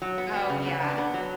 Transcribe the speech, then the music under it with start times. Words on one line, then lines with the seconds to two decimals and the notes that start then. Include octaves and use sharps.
Oh, yeah.
0.02 F#3
0.18 B3
0.34 B3
0.49 C#3
0.66 B3
0.82 D4
0.98 B3
1.14 F#3